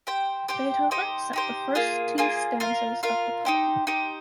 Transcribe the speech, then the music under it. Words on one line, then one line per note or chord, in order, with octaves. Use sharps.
Beethoven set the first two stanzas of the poem.
G4 C5 G5
G4 C5 G5
D#4 G4 C5
D#4 G4 C5
A#3 F4 G#4
A#3 F4 G#4
F4 A#4 F5
F4 A#4 F5
D#4 G4 C5
D#4 G4 C5